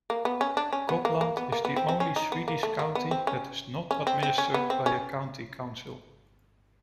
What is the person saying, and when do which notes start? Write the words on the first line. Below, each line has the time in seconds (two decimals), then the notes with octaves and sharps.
Gotland is the only Swedish county that is not administered by a county council.
0.10 A#3
0.25 B3
0.41 C#4
0.57 D4
0.73 C#4
0.89 B3
1.05 A#3
1.21 A#3
1.37 B3
1.52 A#3
1.65 B3
1.76 C4
1.89 C4
2.00 C#4
2.16 D#4
2.32 B3
2.48 A#3
2.63 A3
2.79 A#3
2.95 B3
3.11 C4
3.27 C#4
3.91 C#4
4.07 C4
4.23 C4
4.38 C#4
4.54 B3
4.70 C4
4.86 C#4